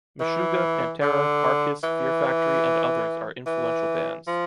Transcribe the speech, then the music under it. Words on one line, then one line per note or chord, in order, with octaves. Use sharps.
Meshuggah, Pantera, Carcass, Fear Factory, and others are influential bands.
E3
D3
E3
E3
F3